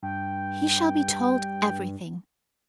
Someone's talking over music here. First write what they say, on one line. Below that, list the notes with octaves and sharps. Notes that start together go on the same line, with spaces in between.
"He shall be told everything."
G2 G5